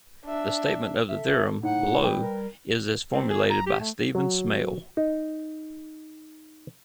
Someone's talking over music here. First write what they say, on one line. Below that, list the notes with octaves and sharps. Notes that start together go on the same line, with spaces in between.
The statement of the theorem, below, is as formulated by Stephen Smale.
D4 E5
A4 E5
A2 D#4 F#5
G3 B4 G5
A#4
C4
G#4
A#5
G4
A3
F#3
D#4